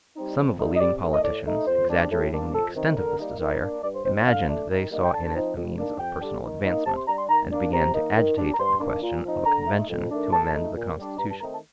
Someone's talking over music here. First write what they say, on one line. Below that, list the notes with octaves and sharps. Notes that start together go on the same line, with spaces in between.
Some of the leading politicians, exaggerating the extent of this desire, imagined they saw in it a means of personal advancement, and began to agitate the question of a convention to amend the Constitution.
G3 C4 D#4
F2
D3 A3 D#4
D#5
C3 D5
D#3 A3
D#5
A2 D5
A3 D#4
F2 C5
C3 G3 D4
A2
G3 A#3 D4
F2 A4
C3 D#3
D3 A#4
G3 A#3 D#4
D#3
A#3 D4
G2 D5
C5
F3 C4 D#4 C5
C5
D3 F5
A3 D4
D#3
G3 A#3 D#4
G5
D3 A5
F3 C4 D#4
F2
D#3 A#3 D4
F2 G5
D3 G3 D4
D#3
A#3 D#4
C3 A5
C6
G3 D4 A#5
C6
D#3 A#5
A#3 D4
C3 A#5
D#3 A#3 D#4
D#3
G3 D4
A#5
G2 C6
D#3 A#3 D4
A#2
F3 C4 D#4
D3 A#5
A3 D#4
F2
D#3 A3 D4
A2 A5
A3 D#4
A#2
G3 D4
G2 A#5
A5
D#3 A3 C4 D#4 A#5
A5